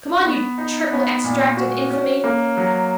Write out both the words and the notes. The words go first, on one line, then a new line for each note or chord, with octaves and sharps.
Come on, you triple extract of infamy!
B3
D#4
B3
A#2
F#4
C#4
A#3
F#3